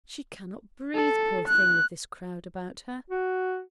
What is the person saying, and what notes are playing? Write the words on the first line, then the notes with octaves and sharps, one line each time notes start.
She cannot breathe, poor thing, with this crowd about her.'
A4
F#6
F#4